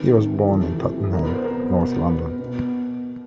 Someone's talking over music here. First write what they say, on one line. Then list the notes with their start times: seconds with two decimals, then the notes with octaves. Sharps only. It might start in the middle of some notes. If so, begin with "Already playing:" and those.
He was born in Tottenham, North London.
Already playing: C3 D#3 B4
0.18 C3 D#3
0.49 C3 E3 A4
0.81 C3 E3
1.13 B2 A#4
1.23 B4
1.34 C5
1.44 B2 A#4
1.76 B2
2.08 B2 B4
2.40 B2